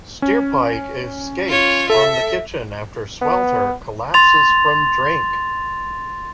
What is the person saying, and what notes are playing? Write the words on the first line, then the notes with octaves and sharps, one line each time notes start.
Steerpike escapes from the kitchen after Swelter collapses from drink.
C#4
F4 C#5
A4 E5
B3
C6 A6 F7